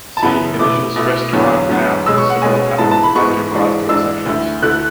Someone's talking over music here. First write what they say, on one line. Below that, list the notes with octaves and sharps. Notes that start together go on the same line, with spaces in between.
See initial-stress-derived noun for similar patterns that may give rise to exceptions.
A5
F#2 C#3 E3 B3 E4 B5
B2 A3 E4 D6
B2 A3 E4
E2 D3 F#3 B3
E2 D3 F#3 B3
B2 G#3 C#4 E6
C#6
F#5
B2 G#3 C#4 G#5
G#2 E3 G#3 B3 A5
A5
B5
G#2 E3 G#3 B3 C#6
G#2 E3 G#3 D4
G#2 E3 G#3 D4 E6
D2 D3 A3 E4
D2 D3 A3 E4 F#6